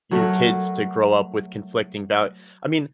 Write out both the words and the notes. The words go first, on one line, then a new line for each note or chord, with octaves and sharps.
your kids to grow up with conflicting doubt I mean,
F#3 A3 A#4